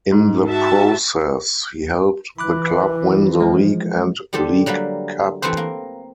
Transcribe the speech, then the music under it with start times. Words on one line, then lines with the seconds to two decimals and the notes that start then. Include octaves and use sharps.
In the process he helped the club win the League and League Cup.
0.12 G#2
0.47 F#4 E5 A5
2.38 E3 B5 D6 F#6
3.40 F3 G#3
4.33 D3 G3 G4 A4 C5
4.66 F#3 G3 A#3 B4
5.42 E3 A3 C4 B4 C5
5.57 A#3